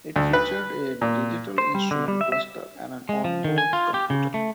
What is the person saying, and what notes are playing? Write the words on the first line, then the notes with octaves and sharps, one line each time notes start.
It featured a digital instrument cluster and an onboard computer.
D2
B4
A#2
C5
G3
D3
G3
E5
E5
G#3
F3
D#3
G#5
F4
G4
C#3
A3